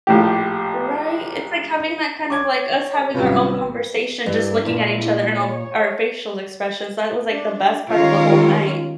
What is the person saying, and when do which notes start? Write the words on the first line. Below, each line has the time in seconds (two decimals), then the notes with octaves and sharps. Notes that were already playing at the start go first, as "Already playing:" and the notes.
Right, it's, like, having that kind of like, us having our own conversation just looking at each other and all of our facial expressions, that was, like, the best part of the whole night
0.07 A#1 A2 G4
2.30 C#5 D6 G#6
3.14 G#1 C3 F#3 G3 C#4 F4 B4
4.26 G2 D4 E4
4.66 A#2
5.38 C#5
7.29 D4
7.89 D#3 G#3 C#4 F4 A#4 C#5